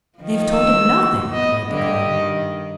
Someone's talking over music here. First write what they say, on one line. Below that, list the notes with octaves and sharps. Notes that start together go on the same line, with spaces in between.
"They have told him nothing!" cried the girl.
D#3 F3
E6
B3 D#5
G2 D3 G4 D#5
D#3